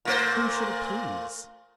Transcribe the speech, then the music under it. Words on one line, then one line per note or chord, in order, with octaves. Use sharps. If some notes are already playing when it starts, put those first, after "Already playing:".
Whom should it please?
A#2 A3 C5